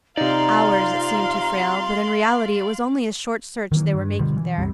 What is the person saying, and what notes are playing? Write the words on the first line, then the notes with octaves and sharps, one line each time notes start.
Hours, it seemed to Frale, but in reality it was only a short search they were making there.
C3 D#4 F4 D5 F5 A#5 C6
D#3 E3 F#3 A#3
G2
B2 D3 F3 G3
E3
A1 E2 C3 G3